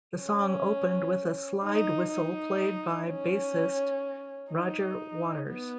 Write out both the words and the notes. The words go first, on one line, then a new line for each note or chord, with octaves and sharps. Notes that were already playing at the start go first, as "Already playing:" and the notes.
The song opened with a slide whistle played by bassist Roger Waters.
C#4
D#4
D#4
C#4
D#4
B3